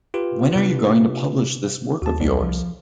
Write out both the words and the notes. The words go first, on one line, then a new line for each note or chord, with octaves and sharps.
When are you going to publish this work of yours?
F4 G4 B4
C3 B3 D4
D#2 F#4 A5
C2
F3